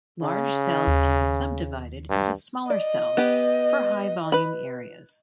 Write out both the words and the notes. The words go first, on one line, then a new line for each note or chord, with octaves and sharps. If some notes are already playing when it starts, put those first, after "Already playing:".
Large cells can be subdivided into smaller cells for high volume areas.
C#3
D#2
G2
D5 D#5
B3 G4
B4 B5